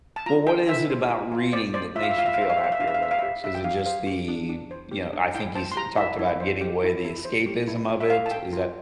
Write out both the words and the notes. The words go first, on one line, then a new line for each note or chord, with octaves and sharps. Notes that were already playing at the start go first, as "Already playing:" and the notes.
Well, what is it about reading that makes you feel happy or relaxed? Is it just the you know, I think you s talked about getting away, the escapism of it, is that
A5
F4 A#5
F4 G5
C5 E5
C5
F4
F4
C5 D5
C5 D5
F4 E5
F5
E5
F4 F5
E5
F5
C5 E5
F5
C5 E5
F5
E5
D4 F5
E5
F5
C5 E5
F5
E5
G4
D4 E5
G5
D4 F5
C5 F5
G4
D4
D4
C5
G4
D4
E4 G5
C5 A5
C6
G4 A#5
E4 E5
E4
C5
G4
E4
E4
C5
G4
E4
F4
E5
C5 F5
A5
A4 G5
F4